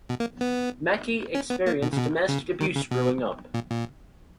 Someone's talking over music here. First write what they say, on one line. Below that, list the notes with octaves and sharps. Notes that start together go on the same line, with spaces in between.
Mekki experienced domestic abuse growing up.
B2
A#3
B3
C#4
B3
A#3
B2
C#3
B2
C#3
D#3
C#3
B2
A#2
A#2